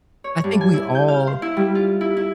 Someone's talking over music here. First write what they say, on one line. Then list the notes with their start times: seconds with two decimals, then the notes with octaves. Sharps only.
I think we all
0.24 C#5
0.44 G2
0.61 G#5
0.74 E4
0.95 G6
1.08 F5
1.27 C5
1.42 E4
1.57 G3
1.75 F4
2.01 E4
2.17 E4